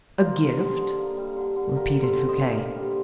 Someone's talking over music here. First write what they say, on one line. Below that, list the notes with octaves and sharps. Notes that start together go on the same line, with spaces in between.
"A gift?" repeated Fouquet.
A#3 C5 D#5
G3
D3 C5 D#5
D3
A#3
G3
D3
D3
A#3 G4 A#4
G3
A4 C5
D3
C5 D#5
D3
A#3 A#4 D5
G3